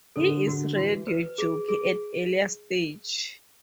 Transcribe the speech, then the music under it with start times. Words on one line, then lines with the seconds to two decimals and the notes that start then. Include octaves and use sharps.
He is Radio Jockey at Earlier Stage.
0.16 D3 A4
0.47 D3 F#4
0.76 E3 F#4
1.07 B4
1.38 G#4
1.69 G#4